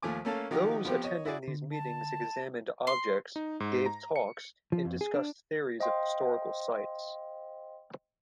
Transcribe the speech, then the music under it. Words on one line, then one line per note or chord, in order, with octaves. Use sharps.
Those attending these meetings examined objects, gave talks, and discussed theories of historical sites.
D#2 F3 A3 G#5 D6
A3 A#3 C#4 A4 F5 A5
D#3 F3 D#4 F#4 G4
F3 B3 C4 G4
C#5 D#5
E4 F#4 G#4 D5
D3
A5
C6
D#4
G#2
A#5
C#7
F3
F2
G#4
D4
C5 D#5 F5 G5 C6